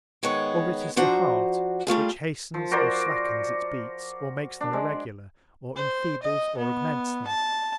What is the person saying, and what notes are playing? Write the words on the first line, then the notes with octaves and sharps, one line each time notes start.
Or it is the heart, which hastens or slackens its beats, or makes them irregular, or enfeebles, or augments them.
D#3 G#3 B3 C#5
F3 D4 F#4 C5 A#5
G3 A3 F4 G#4
F3
F#4 A#4 C5 D5
D4
G#3
C5
D#5
B3
A5